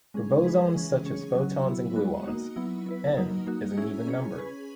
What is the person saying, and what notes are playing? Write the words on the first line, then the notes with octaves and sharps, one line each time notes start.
For bosons, such as photons and gluons, "n" is an even number.
G#3 C#4 G#4
G#3 D#4 G#4 B4
E3 G#3 C#4 G#4
C#4 G#4 C#5
F#3 C#4 F#4
F#3 B3 E4
G#3 B3 F#4
A#3 D#4 F#4
F#3 B3 E4
B3 E4 B4
F#3 A#3 D#4
A#3 D#4 F#4
C#4 E4 G#4
C#4 G#4 C#5
C#4 G#4 B4